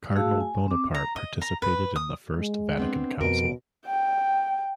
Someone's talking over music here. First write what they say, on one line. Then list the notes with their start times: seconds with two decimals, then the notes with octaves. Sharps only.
Cardinal Bonaparte participated in the First Vatican Council.
0.16 A3 F#4 G#4 F5 A5 E6
0.40 G#5
0.68 C4 D6
0.94 A#5
1.16 D#5
1.42 A#5
1.62 B4
1.96 D#6
2.37 G#3
2.77 B3 C4 D4
3.21 F2 B2 A#4 D7
3.86 G5